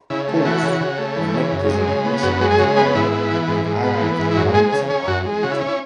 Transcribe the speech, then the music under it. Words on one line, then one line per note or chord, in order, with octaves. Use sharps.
Police were not present initially in the area and arrived almost an hour later.
C#3 E4
A3
E3 F#4
C#3
C#3
A3
E3
C#3
F#2
G#3
C#3
B3
F#2 F#4
G#3 F#4
G#4
C#3 F#4
B3 G#4
G#2 E4
B3
E3
G#2
G#2
B3
E3
G#2
E4
F#2 F#4
G#3 G#4
C#3 G#4
C#4 G#4
F#2 F#4
G#3
C#3 F#4
E4
C#4
E4